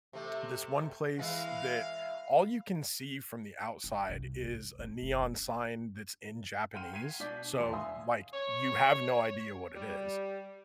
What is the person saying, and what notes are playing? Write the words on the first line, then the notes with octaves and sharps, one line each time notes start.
this one place that all you can see from the outside is a neon sign that's in Japanese, so, like, you have no idea what it is,
C3 A3
E3 G#3 F5
G1
C2
G#2
C4
F#1
D4
F#5 G5 C6 F6 D#7
G#6 B6 C7 D#7
B2 D4 D5 G6 B6
E1 D#2 C6
E5 F5 G#5 C6 D#6 E6
C#5
G3